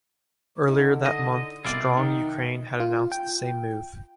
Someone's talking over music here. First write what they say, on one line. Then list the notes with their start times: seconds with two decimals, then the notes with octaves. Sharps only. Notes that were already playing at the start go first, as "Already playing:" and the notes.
Earlier that month Strong Ukraine had announced the same move.
0.68 D3 D#4 E4
1.06 D#5
1.65 C2 B2 E4 F4 D5
1.97 D#3 D#4
2.80 F4
3.12 G5